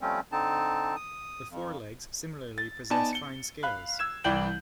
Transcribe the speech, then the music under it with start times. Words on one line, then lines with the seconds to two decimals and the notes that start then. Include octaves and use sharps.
The fore legs similarly possess fine scales.
0.01 F3 G3 A3 C4 C#4
0.32 D3 C4 D#4 A5
0.96 D#6
1.51 F2
2.58 A6
2.90 B3 D#4 D5 G#5 A5
3.13 C#7 G7
3.63 F5 B5 F#6
3.99 E6 G#6 E7
4.24 C2 E3 D5 G5 G6 F#7